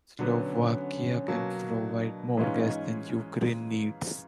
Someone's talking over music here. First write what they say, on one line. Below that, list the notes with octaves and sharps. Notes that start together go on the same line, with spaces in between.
Slovakia can provide more gas than Ukraine needs.
D3 F#3 B3 C#4
B2 F#3 A#3
D4
G#2 E3 G#3 C#4 D#4 F4